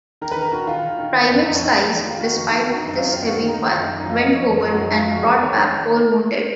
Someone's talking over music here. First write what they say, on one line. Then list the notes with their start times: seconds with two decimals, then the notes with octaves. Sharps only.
Private Sykes, despite this heavy fire, went forward and brought back four wounded.
0.21 D#3 A#4
0.32 B4
0.36 D#3
0.42 A#4
0.52 D#3 F#4
0.67 D#3 F4
0.83 D#3
0.99 D#3
1.13 D#3
1.28 F2
1.44 F2 D#4
1.54 C#4
1.59 F2 D#4
1.74 F2
1.90 D#3
2.05 D#3 F4
2.20 D#3 F#4
2.35 F2 F#4
2.52 D#3
2.66 D#3 F#4
2.76 D#4
2.82 F#2
2.87 D#4
2.97 F#2 F4
3.13 D#3 F4
3.28 D#3 F#4
3.38 F4
3.43 D#3
3.48 D#4
3.58 D#3 D#4
3.69 F4
3.74 F#2
3.89 F#2
4.00 D#4
4.04 F3
4.10 F4
4.20 F3 D#5
4.35 F#2 C#5
4.51 F3
4.61 A#4
4.66 F#2
4.71 F#4
4.81 F#2 G#4
4.90 D#4
4.96 F3 F4
5.12 F2 F#4
5.22 G#4
5.27 F2
5.32 A#4
5.42 D#3 C#5
5.58 D#3
5.73 D#3